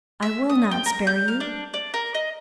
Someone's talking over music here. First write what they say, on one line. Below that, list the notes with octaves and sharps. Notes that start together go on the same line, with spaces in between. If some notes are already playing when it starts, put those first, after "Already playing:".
I will not spare you.
E5
D#6
G5
A#4
G6
F5
D4
D5
A#4
D#5